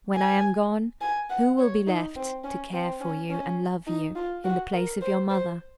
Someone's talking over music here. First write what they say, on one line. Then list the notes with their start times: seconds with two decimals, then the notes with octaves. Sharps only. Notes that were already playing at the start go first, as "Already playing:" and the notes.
When I am gone, who will be left to care for you and love you, in the place of your mother?
0.15 G#5
1.01 G#5
1.30 F#5
1.58 C#5
1.87 D#4
2.16 C4
2.44 C#4
2.73 C4
3.01 C#4
3.30 C#4
3.87 D#4
4.16 F4
4.44 F#4
4.73 A#4
5.01 C5
5.30 C5